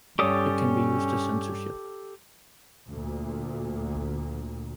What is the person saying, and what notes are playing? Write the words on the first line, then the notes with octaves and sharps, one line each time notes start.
It can be used as censorship.
G2 C#4 G4 A4 C#5 D5 D#6
D2 A#2